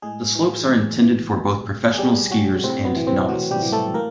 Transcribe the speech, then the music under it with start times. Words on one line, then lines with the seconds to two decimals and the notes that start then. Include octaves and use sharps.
The slopes are intended for both professional skiers and novices.
0.02 A2 G#3 G#4
0.35 E3
0.68 A2
1.01 E3
1.33 B2
1.93 G#4
1.98 B2 G3 G4
2.31 F#3 F#4
2.64 A2 C3 C4
2.85 B2 B3
2.97 E3
3.07 C3 C4
3.29 A2 F#3 F#4
3.51 G3 G4
3.62 E3
3.72 A3 A4
3.94 A2 A#3 A#4